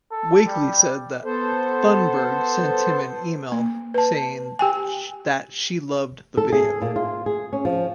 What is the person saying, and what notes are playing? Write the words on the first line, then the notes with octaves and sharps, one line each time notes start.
Wakely said that Thunberg sent him an email saying that she loved the video.
A4
G3
B3 A4 C5
A#3
B4 A5
G4 G5 G#5
A4
G#4
A#2
F4
G#4
C#4
F3